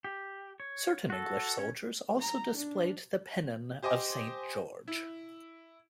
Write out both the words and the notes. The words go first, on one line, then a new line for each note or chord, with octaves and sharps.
Certain English soldiers also displayed the pennon of Saint George.
G4
C#5
F#4 A4
C#4 C#5
A#5
D4
G4 C5 D#5 G#5 D6
E4